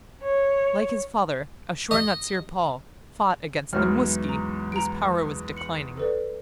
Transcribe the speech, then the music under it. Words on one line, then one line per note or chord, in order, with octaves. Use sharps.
Like his father, Ashur-natsir-pal fought against the Muski, whose power was declining.
C#5
D#5
E2 G#2 E3 F#3 F6
A#5
A#5 D7
C#7 F#7
A4 B4 D5